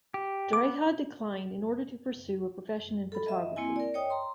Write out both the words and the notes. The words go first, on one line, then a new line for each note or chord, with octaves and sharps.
Dreja declined in order to pursue a profession in photography.
G4
B3 D6
A4 B5
D#5 E5
A#3 C4 E4 G#5
A#4 D5
C#5 D#5 G5 D#6
A#5 C6